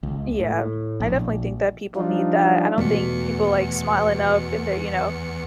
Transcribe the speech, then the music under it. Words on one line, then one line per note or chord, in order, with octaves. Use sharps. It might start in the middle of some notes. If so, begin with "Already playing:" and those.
Yeah. I definitely think that people need that. I don't think people, like, smile enough in their, you know,
C#2
A2
A#1
F3 G3 D4 D#4 F4
E2 B2 A3 C#7